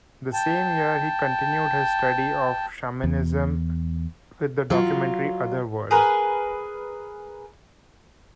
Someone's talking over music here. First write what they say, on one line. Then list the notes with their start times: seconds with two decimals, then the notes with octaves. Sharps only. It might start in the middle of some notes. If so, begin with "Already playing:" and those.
The same year, he continued his study of shamanism with the documentary "Other Worlds".
0.34 G5 A5
3.04 E2
4.70 F#3 F4
5.91 G#4 A#4 B4